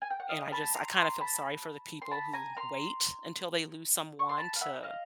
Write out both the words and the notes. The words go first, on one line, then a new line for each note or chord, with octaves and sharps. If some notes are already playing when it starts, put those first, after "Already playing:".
And I just I kinda feel sorry for the people who wait until they lose someone to
G#5
G5
F#5
D#5 F5
A5 B5
A#5 C6
A#5 C6
A5 B5
C6
A5 B5
G#5 A#5
A#5 C6
C#6
C6
A5 B5
F5
E5 F#5
F#5
D#5 F5